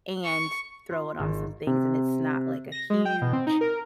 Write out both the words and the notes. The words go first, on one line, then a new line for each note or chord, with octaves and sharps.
and throw it on some things, and it's not, like, a huge
C#6
F4
G#1
C3
A#6
G#3
G5
B2
C4
D#4
A#4